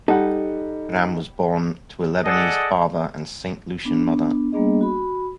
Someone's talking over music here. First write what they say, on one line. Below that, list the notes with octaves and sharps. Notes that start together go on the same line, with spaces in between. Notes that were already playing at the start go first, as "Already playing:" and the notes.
Karam was born to a Lebanese father and a Saint Lucian mother.
G3 D#4 A4 F#5
G#4 A4 D5 D#5 F#5
B3 D4
G3 A#3 B3 D4 G#4 D#5
F#4 B5